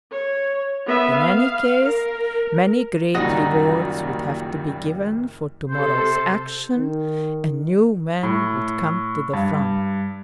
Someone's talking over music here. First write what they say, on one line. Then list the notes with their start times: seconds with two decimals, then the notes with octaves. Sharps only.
In any case many great rewards would have to be given for tomorrow's action, and new men would come to the front.
0.12 C#5
0.86 B3 E5
1.17 F5
1.85 A#4
3.15 F#1 D#2 A#2 C#3 G3 D#4 F#4
5.69 C3 A4 C5
6.76 D#3
8.23 A2
9.33 G2